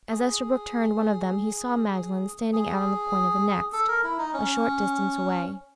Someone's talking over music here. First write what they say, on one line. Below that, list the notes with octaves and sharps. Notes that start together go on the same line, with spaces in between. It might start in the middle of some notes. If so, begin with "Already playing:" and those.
As Esterbrook turned one of them he saw Magdalen standing out on the point of the next, a short distance away.
G#4
G#4
A4
A#4
E4
D#4
C#4